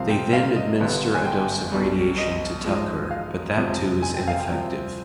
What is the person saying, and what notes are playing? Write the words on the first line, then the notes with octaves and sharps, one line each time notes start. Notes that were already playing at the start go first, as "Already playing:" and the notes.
They then administer a dose of radiation to Tucker, but that too is ineffective.
Already playing: C2 C3 F3 C4 F5
G5
F5
D#5
G1 G2 D3 G3 B3
G#5
G5
B1 B2 G3
D#5
G#2 F3 G#3
F5
G1 F2 C3 F3 G#3
G#5
G5
F5
G5
C2 C3 F3 C4